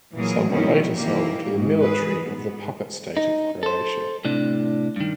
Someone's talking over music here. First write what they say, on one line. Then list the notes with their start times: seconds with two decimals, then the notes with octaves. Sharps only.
Some were later sold to the military of the puppet state of Croatia.
0.16 A#2 E3 F#3 G#4 A#4
0.48 B2 D#3 F3 A#3 C#4 E4
0.95 D#3 E3 A#3 G4
1.52 G#2
1.82 E3 G#4 B4
2.22 G#2 B3
3.17 D#4
3.63 A4 C5
4.25 A2 C3 D4
4.96 G2 D#3